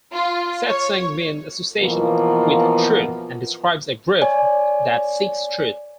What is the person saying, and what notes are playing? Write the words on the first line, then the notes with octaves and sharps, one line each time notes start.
Satsang means 'association with Truth' and describes a group that seeks truth.
F4
C#5
B2 E3 F3 A#3 B3
C#5 D5 G#5